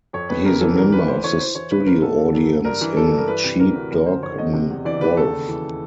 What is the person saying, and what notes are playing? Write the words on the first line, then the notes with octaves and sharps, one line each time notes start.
He is a member of the studio audience in "Sheep, Dog, 'n' Wolf".
F2 C#5
F2 B4
C#3 A#4
E3 A4
E2 A#4
E3 B4
E2 C5
E3 C#5
E3 C5
E3 C#5
C#3 B4
E3 A#4
D3 A4
D3
F#2
D3
G2 A#4
E3
E3 A4
G2 A4
A#4
E3 B4
C3
E3 A#4
D2 A#4
F2 A#4
D3 C5
F2 C#5
D3 D#5
C3
E2
E3 D5
E2 B4
D#2 A4
C#3
E3